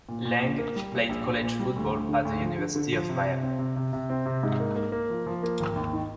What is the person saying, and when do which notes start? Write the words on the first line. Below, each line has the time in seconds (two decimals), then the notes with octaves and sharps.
Lang played college football at the University of Miami.
0.09 A#2
0.25 A#2
0.42 A#1
0.58 A#3
0.76 G3
0.92 A#2
1.09 A#1
1.25 A#1
1.42 A#2
1.59 G3
1.76 D2
1.93 D2
2.09 D3
2.25 D2
2.42 F3
2.59 D3
2.76 D3
2.93 F3
3.09 C3
3.25 C3
3.43 C4
3.59 C3
3.76 C3
3.93 C3
4.10 C4
4.26 C3
4.43 G#2
4.60 A#3
4.76 A#3
4.92 A#3
5.10 F3
5.26 F3
5.43 A#3
5.59 G#1
5.76 D#2
5.93 D#3